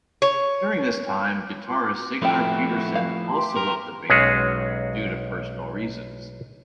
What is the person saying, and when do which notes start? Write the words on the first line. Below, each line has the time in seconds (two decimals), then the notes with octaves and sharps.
During this time, guitarist Signar Petersen also left the band, due to personal reasons.
0.22 C#5
1.66 F4 C6 D6
1.96 F#4
2.22 F3 A3 E4 F4 G5
2.95 F5
3.28 G4 E5 C6
3.56 A#4
4.10 B1 G#3 C#4 F#4 G#4